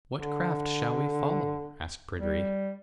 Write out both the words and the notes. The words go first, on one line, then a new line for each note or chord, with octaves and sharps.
'What craft shall we follow?' asked Pryderi.
D3
G3